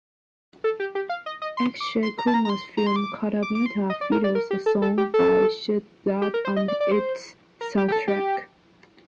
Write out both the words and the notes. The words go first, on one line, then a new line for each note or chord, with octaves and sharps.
Akshay Kumar's film "Khatta Meetha" features a song by Shehzad on its soundtrack.
A4
G4
G4
F5
D#5
D#5
C6
D6
C6
A#5
A5
A#5
A#5
C6
A#5
C6
D6
D6
D6
C6
D#5
D5
A#4
D5
A#4
G4
A4
A4
G4
A4
G4
A#4
C5
D#5
D5
D5
C5
A#4
G4
G4
A4
G4